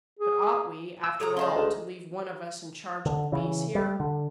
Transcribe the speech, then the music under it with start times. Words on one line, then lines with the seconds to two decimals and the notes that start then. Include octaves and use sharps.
"But ought we, after all, to leave one of us in charge of the beasts here?"
0.19 G#4
1.04 E6
1.20 C3 F#3 G#4 A4 C#5 A#5
1.37 C#3 G#3 D#4 D5 A5 C6
1.55 D2
3.06 D3
3.32 C#3 E3
3.75 G3
4.00 D3